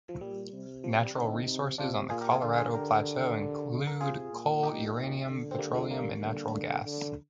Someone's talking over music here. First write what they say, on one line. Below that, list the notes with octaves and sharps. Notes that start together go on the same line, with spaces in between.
Natural resources on the Colorado Plateau include coal, uranium, petroleum, and natural gas.
F3
A#2 G3
C3
F3
G3
D3 C4 D#4
C3
C3 D4 F4
A#2 F4 G#4
G4 A#4
F4 G#4
D3 D4 F4
F4 G#4
D3 G4 A#4
A#4
C3 F4 G#4
A#2
D#4 G4
D3
C4
G3 A#3
F3 G#3
G3 A#3
D3
D3